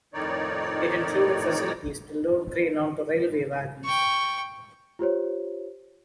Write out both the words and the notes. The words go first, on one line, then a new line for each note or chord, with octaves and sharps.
It included facilities to load grain onto railway wagons.
F2 A2 D#3 D#4 C#5 D5
G5 C#6
F4 G4 C5 C#5